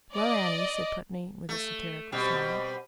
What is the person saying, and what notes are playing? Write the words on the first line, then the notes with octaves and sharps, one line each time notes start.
"Well, Annie," said Putney, with a satirical smile.
D5 D#5
A3
B2 G3 C4